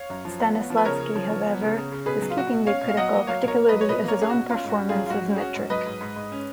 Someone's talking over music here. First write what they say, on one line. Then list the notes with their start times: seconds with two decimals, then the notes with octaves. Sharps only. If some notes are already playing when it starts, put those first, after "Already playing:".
Stanislavski, however, was scathingly critical, particularly of his own performance as Mitrich.
Already playing: C#5 F5
0.10 F#2
0.25 F3
0.40 B3
0.55 B3
0.70 F3
0.77 B4
0.85 C#3 A#4 C#5
1.00 C#3
1.16 F3
1.30 F3
1.46 B3
1.61 C#3
1.77 C#3
1.92 C#3
2.06 B2 G#4 B4
2.22 F#3
2.30 F4
2.36 B2 F#4
2.52 B2
2.67 C#4 C#5 F5
2.83 B2
2.88 F5
2.97 F#3 D#5 F#5
3.13 A#3
3.27 F#3 C#5 F5
3.43 B2 A#4 C#5
3.58 A#3
3.68 F#3 B4 D#5
3.81 C#5
3.88 B2 B4 D#5
4.04 A#3 A#4 C#5
4.19 C#4 G#4
4.29 B2 F#4
4.49 C#4 F4
4.64 G#2 F#4
4.79 C#4
4.89 F4 G#4
4.95 F#3
5.06 F4
5.09 G#2 F#4
5.25 C#4
5.36 G#4
5.40 C#4 F#4
5.55 G#2
5.70 F#3 B4 D#5
5.86 G#2
6.01 G#2
6.16 G#2
6.32 C#4